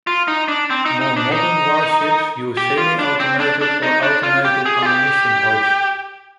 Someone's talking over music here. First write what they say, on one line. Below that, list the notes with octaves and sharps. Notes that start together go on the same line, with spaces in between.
More modern warships use semi-automated or automated ammunition hoists.
F4
D#4
D4
C4
D#4
D#4
D4
D#4
G4
F4
D4
C4
D4
D4
D#4
D4
F4
G4
G#4
F4
G4